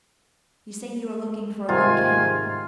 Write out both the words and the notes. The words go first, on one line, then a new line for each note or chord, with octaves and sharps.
You say you are looking for a good camp.
G#2 C3 D#3 F4 G#5